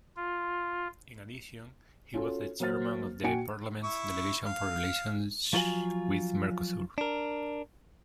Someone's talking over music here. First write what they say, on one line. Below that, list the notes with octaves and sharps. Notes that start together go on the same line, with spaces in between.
In addition, he was the chairman of the parliament's delegation for relations with Mercosur.
F4
C#4 F4 F#4 A4
F#3 A#3 C5 F6 A6
A#2 F#4 G5 G#5 C#7 D7
E4 C#6
F5
F3 F#3 F4 A4 F5 G#5
D4 A#4